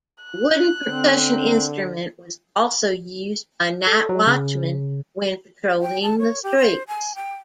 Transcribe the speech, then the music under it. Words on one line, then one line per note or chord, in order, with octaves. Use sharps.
The wooden percussion instrument was also used by night-watchmen when patrolling the streets.
F#6
D3 C4
A4
F#3
C#3
G5
A5
C#5
G4
C5
G#5
G5